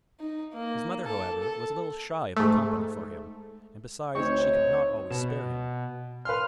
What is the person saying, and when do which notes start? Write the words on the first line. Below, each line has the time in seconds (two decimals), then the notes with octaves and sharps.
His mother, however, was a little shy of the company for him, and besides she could not always spare him.
0.20 D#4
0.54 A#3
1.06 A4
1.43 A4
2.36 G#2 A3
4.15 D2 C4 D#4 C#5
5.11 B2 E7
6.25 B4 F5 C6 F6